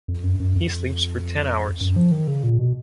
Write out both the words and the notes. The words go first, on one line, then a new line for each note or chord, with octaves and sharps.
He sleeps for ten hours.
F2
F#2
F#2
F2
F#2
F3
D#3
C#3
A#2
B2